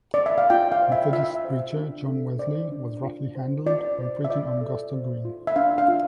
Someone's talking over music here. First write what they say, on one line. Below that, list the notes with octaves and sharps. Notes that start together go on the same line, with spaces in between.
Methodist preacher John Wesley was roughly handled while preaching on Gosta Green.
D5
E5
F5
F4 G5
F5
C5
E5
F4 E5
C5
D4
A4
C5 D5
D4
F4
C5
F4 D5
C5
E5
F4 D5
A4
C5
F4
E5
D4 F5
F5
F4